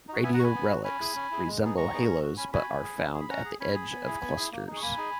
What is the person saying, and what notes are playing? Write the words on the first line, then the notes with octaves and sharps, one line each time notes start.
Radio relics resemble haloes but are found at the edge of clusters.
D#4 F#4
B3 E5 G#5
F#5 A#5
F#4 G#5 B5 C#6
B3
F#4
C#4 G#5 B5
E4 G#4
C#4
E4 G#4
G#3
B3 D#4 G#4
G#3 A#5 C#6
B3 D#4 G#4
C#4
F#4
C#4 G#5 B5
F#4 G#5 B5
C#4
G#4
C#4
G#4
B5
C#4 F#5 A#5
G#4
C#4 G#5 B5
G#4
B3
E4 G#4
B3
E4 G#4
A#3
D#4 G#4
C#6
A#3 G#5 B5
D#4 G#4